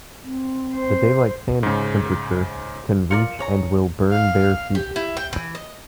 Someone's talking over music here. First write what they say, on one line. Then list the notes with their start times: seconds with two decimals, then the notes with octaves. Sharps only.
The daylight sand temperature can reach and will burn bare feet.
0.23 C4
0.75 C5
1.63 G#2 C#3
3.11 F4 A#4 D5 C#7
3.39 G#4 C#5 A#5
4.12 F5
4.75 G4
4.96 E4
5.17 G5
5.33 E3
5.55 D#5